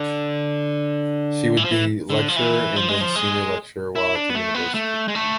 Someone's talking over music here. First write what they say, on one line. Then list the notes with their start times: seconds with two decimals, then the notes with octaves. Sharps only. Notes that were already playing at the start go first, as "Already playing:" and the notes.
She would be lecturer and then senior lecturer while at the university.
Already playing: D3
1.57 E3
1.64 F3
1.71 E3
2.10 D3
2.28 F3
2.36 E3
2.76 F3
2.88 G#3
3.01 F3
3.16 G#3
3.95 E4
4.15 D4
4.30 B3
4.35 A3
4.55 B3
4.75 A3
5.08 G#3
5.15 A3